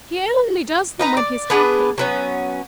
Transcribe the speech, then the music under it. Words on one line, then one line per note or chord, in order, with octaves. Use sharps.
He only does them when he's happy.
D#4 B4 A#5
D5
B3 D4 G#4 B4
F#3 B3 C#4